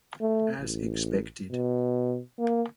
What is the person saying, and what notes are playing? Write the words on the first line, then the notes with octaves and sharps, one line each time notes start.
As expected.
A3
A1
B2
A#3